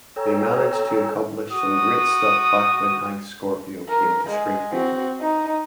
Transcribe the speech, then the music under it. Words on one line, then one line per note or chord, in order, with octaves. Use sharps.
They managed to accomplish some great stuff back when Hank Scorpio came to Springfield.
A4 C#5 G5 G#5 A#5 E6
F#4 D#6
A#4
G#3
C4 F#4
D#4